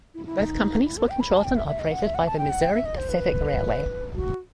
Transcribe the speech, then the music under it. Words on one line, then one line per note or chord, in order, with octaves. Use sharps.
Both companies were controlled and operated by the Missouri Pacific Railway.
E4
E4
D#4
E4
A4
G5
B5
A5
G5
E5
E5
D#5
F#5
E5
F#5
A5
G5
F#5
G5
E5
D#5
C5
B4
F#4